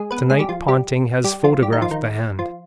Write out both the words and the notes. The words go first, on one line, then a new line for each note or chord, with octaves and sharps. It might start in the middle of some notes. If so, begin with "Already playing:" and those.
To-night Ponting has photographed the hand.
Already playing: G#3 G#4
B3 B4
G#3 G#4
G3 G4
F3 F4
G3 G4
G3 G4
F3 F4
G3 G4
D#3 D#4
F3 F4
D#3 D#4
F3 F4